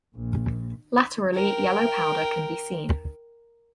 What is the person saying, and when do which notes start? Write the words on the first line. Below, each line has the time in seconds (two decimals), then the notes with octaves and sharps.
Laterally yellow powder can be seen.
0.15 A#1
1.34 A#4 G5